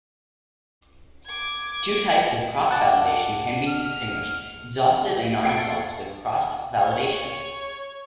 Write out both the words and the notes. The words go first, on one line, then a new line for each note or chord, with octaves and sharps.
Two types of cross-validation can be distinguished, exhaustive and non-exhaustive cross-validation.
D6 G#6
F#5 A5 D6
F6
A3
F4 A4 C6 C#6 G#6 C7 D7
C#5